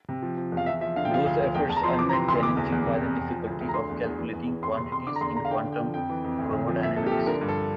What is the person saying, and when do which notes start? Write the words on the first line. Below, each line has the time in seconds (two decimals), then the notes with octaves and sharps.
Those efforts are made challenging by the difficulty of calculating quantities in quantum chromodynamics.
0.09 C3
0.22 F3
0.37 F3
0.52 E2
0.57 F5
0.66 E2 E5
0.81 F3 E5
0.96 D3 F5
1.05 G5
1.11 F3 F5
1.26 D2
1.40 D2
1.55 E2 G5
1.70 E2 A5
1.77 A#5
1.84 F3 C6
1.98 E3 D6
2.09 A#5
2.13 C3 C6
2.28 D2 C6
2.43 E3 D6
2.57 E2
2.72 E2
2.86 C3
3.01 F2
3.16 F2
3.30 F3
3.46 D2
3.60 D2
3.69 A#5
3.74 D3 C6
3.90 E2
4.04 E2
4.19 E3
4.33 E2
4.47 E2
4.62 F2 C6
4.77 C3 C6
4.91 F2 C6
5.07 D3 D6
5.16 A#5
5.21 E2 C6
5.35 D3 A#5
5.45 F5
5.50 D3 G5
5.65 D3
5.72 G5
5.80 F3
5.94 F2 G5
6.10 E3
6.24 F2
6.38 D2
6.53 D2
6.68 F3
6.83 A#2 E5
6.97 C2 A4
7.06 G4
7.11 F3 A4
7.27 D3 A#4
7.41 G2
7.48 A4